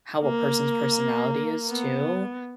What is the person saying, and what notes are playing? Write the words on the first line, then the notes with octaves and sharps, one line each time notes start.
how a person's personality is too.
A#3
B3